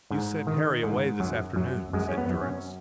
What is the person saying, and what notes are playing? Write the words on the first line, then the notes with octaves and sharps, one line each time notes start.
"You sent Harry away this afternoon," said Durrance.
G#2
D#3
G#2
F#2 F#3
F#2 F#3
F#2 G#3
C#4
B3
F#2
C#4